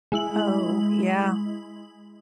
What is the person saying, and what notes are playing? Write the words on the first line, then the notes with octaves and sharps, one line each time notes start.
Oh, yeah.
G#3 E4 F#7